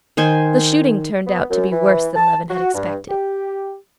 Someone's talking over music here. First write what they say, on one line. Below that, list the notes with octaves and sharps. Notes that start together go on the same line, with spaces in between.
The shooting turned out to be worse than Levin had expected.
D#3 C5 G#5
B3
F#2
E3
A5
F#4
G2
G4